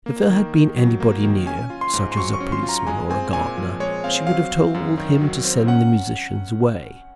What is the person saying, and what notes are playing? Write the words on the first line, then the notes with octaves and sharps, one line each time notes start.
If there had been anybody near, such as a policeman or a gardener, she would have told him to send the musicians away.
A#3
D#3
D#3
F#3
A#3
D#3
C#4 G#5
F4
C6
G#2
C6
F#3 C#6
C#6
C#4
C6
F4
A#5
G#3 G#5
C4 G#5
A#2 G#5
F3
G#3 C#5
C4 F5
F#3 F5
C4
F#2
D#3
F#3
C4
C#4 F#5